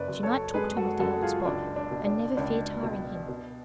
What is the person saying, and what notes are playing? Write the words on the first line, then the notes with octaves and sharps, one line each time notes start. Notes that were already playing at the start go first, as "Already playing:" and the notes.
She might talk to him of the old spot, and never fear tiring him.
Already playing: F#1 B4 D5
F#2
A4 C#5
G#3 G#4 B4
F#4 A4
F#2 F#4 A4
F4 G#4
C#2 D4
D4
B2
D4
C#2 D4
B2
B2